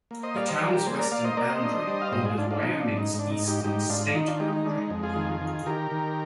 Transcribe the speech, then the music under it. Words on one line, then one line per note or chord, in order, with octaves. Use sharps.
The town's western boundary borders Wyoming's eastern state boundary.
A#3
C5 D#5
G3 D5 F5
C5 D#5
G3 A#4 D5
G4 A#4
A#3 G#4 C5
A#4 D5
A#3 D5 F5
C5 D#5
A#3 A#4 D5
C5 D#5
D4
G3
F5
G#2 C5 D#5
F4 G#4
G#2 D4 F4
D4 F4
F3 D#4
D4
G#2
D#4
G#2
D4
D#4
G#2
D#4 G4
G#2 D#4 G4
G#2 D4 F4
D4
D#3 D#4
D4 F4
G#3 D#4 G4
D#4
G#3 D4
D#4
F2
F4 G#4
D#3
D#3
D#3 G4 A#4
D#3